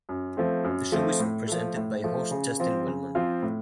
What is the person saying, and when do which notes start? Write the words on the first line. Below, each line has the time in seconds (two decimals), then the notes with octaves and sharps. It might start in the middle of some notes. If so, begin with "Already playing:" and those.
The show is presented by host Justin Willman.
0.09 F#2
0.37 F3 A3 C4
0.64 F#2
0.92 F3 A3 C4
1.20 A2
1.48 F3 A3
1.76 A2
2.03 F3 A3
2.31 C#3
2.60 F3 C4 F4
2.87 C#3
3.15 F3 C4 F4
3.43 A2